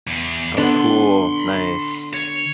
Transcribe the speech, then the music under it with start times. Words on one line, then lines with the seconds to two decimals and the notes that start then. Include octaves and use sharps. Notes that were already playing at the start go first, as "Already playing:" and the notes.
Oh, cool. Nice.
0.07 E2
0.58 D3 B3 D4 B5 C6
2.14 C#5